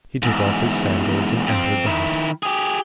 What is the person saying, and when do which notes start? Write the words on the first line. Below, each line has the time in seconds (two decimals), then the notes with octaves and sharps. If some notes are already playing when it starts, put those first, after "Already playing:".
He took off his sandals and entered the hut.
0.22 E2 G#2
1.46 F2 C4
1.86 D#3 E4
2.43 G4 G#4